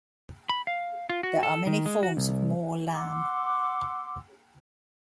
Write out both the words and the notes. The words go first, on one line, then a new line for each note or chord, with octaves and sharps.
There are many forms of "mor lam".
B5
F5
F4
F#4
A4
D#3
G#3
F#4
C2
F#5 C6 D6 E6